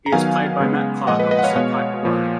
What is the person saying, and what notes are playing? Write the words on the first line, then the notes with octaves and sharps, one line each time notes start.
He is played by Matt Clark opposite Piper Laurie.
A#5
D#3 F#3 B3 F5 G#5
C#3 G#3 B3
A#2 F3 G#3 D#5 F#5
B4 D#5
B4 D#5
F#5
C#5 F5
B2 G#3 B3 C#5 F5
A#2 F3 A#3